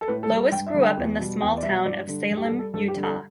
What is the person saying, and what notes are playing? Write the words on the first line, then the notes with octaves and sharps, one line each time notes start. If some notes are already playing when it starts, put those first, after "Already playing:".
Lois grew up in the small town of Salem, Utah.
A4
A2 B4
A4
G3
A4
G2 G5
E5
D3 G3
G5
E2
B2 G3
E2 G5
D5
B2 G3 E5
G2 D5
D3 G3
G2
G4
A4
G3
A4
G2 A4
G4
D3 G3
A4